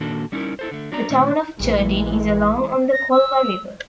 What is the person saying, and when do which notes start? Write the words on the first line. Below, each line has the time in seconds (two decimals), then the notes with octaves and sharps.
The town of Cherdyn is along on the Kolva River.
0.01 A#2 D#3 A#3 D4 F#4 A4
0.32 G3 C#4 D#4 E4 G4 A#4
0.59 E4 A4 C5
0.71 D3 A3
0.92 F#3 D4 D5 A#5
1.10 A#2 D3 D#3 A3 C#4 E4
1.60 A#1 E3 G#3 A#3
2.92 A#6
3.11 E6